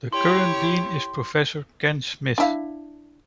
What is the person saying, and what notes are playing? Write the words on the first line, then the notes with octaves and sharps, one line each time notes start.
The current dean is Professor Ken Smith.
E4 G4 C#5 C6
D4 E4 F5